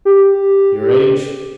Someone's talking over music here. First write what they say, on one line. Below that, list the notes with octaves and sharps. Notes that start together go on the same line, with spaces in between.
"Your age?"
G4